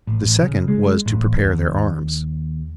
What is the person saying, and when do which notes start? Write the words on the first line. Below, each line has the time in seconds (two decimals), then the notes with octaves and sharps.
The second was to prepare their arms.
0.07 A1
0.42 C#3
0.68 G#3
1.06 A1
1.44 D#2